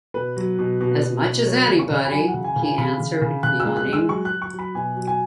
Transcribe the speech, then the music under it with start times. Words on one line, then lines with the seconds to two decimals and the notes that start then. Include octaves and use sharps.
"As much as anybody," he answered, yawning.
0.14 B2 B4
0.37 F#3
0.59 B2
0.81 B2
1.03 B2
1.24 B2
1.46 F#3 C#5
1.68 C#3
1.79 C#6
1.90 C#3
2.05 B5
2.12 F#3 G#5
2.28 F#5
2.34 C#3
2.44 G#5
2.56 C#3
2.62 G#5
2.78 C#3 B5
3.00 C#3
3.21 C#3
3.43 C#3 F#6
3.60 E6
3.65 G#3
3.77 F#6
3.87 G#3
3.93 E6
4.09 F#3 C#6
4.25 F#6
4.31 F#3
4.42 C#6
4.53 F#3
4.59 B5
4.75 B2 G#5
4.97 F#3
5.07 G#5